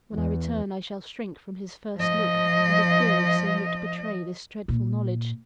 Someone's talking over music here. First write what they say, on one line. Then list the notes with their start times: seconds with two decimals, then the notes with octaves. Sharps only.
When I return, I shall shrink from his first look, in the fear of seeing it betray this dreadful knowledge.
0.14 E2
1.96 F3 D#5
4.68 A#2